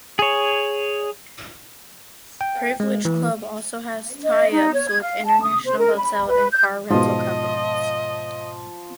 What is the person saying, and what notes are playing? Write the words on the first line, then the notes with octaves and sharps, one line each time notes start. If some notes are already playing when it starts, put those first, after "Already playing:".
Privilege Club also has tie-ups with international hotel and car rental companies.
G#4 C#5
G5
G#3
E3
D#5
D#4
C#5
G#6
F5
A5
D#6
C5
A#4
B5
B4
G6
G#2 B2 F3 D#5